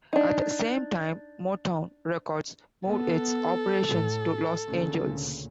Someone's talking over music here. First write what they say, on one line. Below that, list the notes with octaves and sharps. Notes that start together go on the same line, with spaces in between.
At the same time, Motown Records moved its operations to Los Angeles.
D4 D#4
B3 A4
A2
D2 A#2 C#3